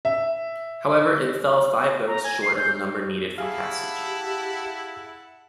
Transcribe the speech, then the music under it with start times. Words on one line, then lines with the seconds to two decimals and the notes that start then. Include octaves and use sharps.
However, it fell five votes short of the number needed for passage.
0.05 E5
2.07 A#5
2.24 G#5
2.42 C7
2.58 G6
3.38 E4 G4 G#4 F5 F#5 A5